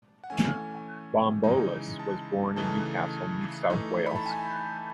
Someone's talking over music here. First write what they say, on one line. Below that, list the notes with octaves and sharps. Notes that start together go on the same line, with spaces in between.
Bombolas was born in Newcastle, New South Wales.
F#5
E3 A3 C#4 G#5
C#3 E3 G#3 D#4
A5
C#3 E3 A3 D#4 A5
E3 A3 D#4
B5
A5
G#5